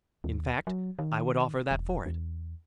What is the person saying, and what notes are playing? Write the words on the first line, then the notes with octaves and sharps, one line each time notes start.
In fact, I would offer that for it.
D#2
F#3
D#3
E1
E2